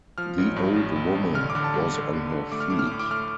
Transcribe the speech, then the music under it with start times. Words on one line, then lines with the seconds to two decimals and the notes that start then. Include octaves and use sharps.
The old woman was on her feet.
0.18 F3 F6
0.38 A1
0.56 G2
0.76 A1
0.96 A1
1.15 G2
1.35 D3 F6
1.50 D6
1.55 D3
1.64 A5
1.74 G2
1.93 D3
2.13 D3
2.33 D3
2.52 A3 D6
2.60 F6
2.70 A2 D6
2.79 F6
2.87 D6
2.91 A2
2.99 D6
3.11 A3 F6